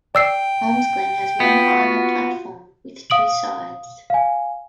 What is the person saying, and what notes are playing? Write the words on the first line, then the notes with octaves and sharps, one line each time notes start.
Holmesglen has one island platform with two sides.
D5 G5 E6 C7
B3 F4 F#4
F5 D#6 D7 F#7
F5 G#5